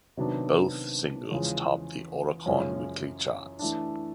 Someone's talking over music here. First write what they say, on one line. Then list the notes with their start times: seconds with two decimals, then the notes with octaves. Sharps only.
Both singles topped the Oricon weekly charts.
0.17 C3 D#3 F#3 B3 D4
1.32 E2 C#3 F3 G#3
2.46 F#2 C#3 F3 G#3 C#4
3.59 E3 A3 D4